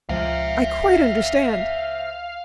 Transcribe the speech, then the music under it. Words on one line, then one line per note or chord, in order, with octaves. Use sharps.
I quite understand.
C#2 F3 G#3 C5 E5 F5